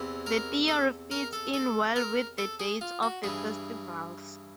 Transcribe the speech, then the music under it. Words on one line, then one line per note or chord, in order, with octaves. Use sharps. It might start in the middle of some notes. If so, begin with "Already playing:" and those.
The theory fits in well with the dates of the festivals.
Already playing: E2 C3 E3
A#4
A4
A#4
A4
A4
A#4
A4
G#4
F4
F#4
G2 E3 G#4